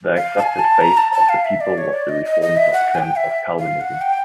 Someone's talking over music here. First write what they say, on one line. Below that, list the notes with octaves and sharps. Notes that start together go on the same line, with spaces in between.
The accepted faith of the people was the Reformed doctrine of Calvinism.
F5
A5
G#5
A5
A#5
A5
A5
F5
E5
D5
C#5
D5
D#5
D#5
D#5
E5
F#5
G#5
G5
E5
F5
F#5
G5